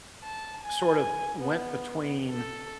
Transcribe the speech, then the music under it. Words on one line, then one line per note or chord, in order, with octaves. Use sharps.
sort of went between,
A5
G#5
B3
A4